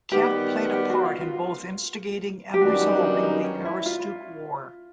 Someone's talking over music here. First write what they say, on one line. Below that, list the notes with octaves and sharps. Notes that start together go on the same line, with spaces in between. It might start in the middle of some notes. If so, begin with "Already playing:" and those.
Kent played a part in both instigating and resolving the Aroostook War.
D#3 G3 B3 G4
G4
F#4
F4
F4
G4
F#2 D#3 G3 B3 D4 F#4
D#4
D#4
D#4
C#4
E4
F4